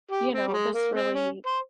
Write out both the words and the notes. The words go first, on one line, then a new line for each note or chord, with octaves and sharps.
you know, "this really"
G4
C4
G3
G#3
A#3
C4
C#4
C5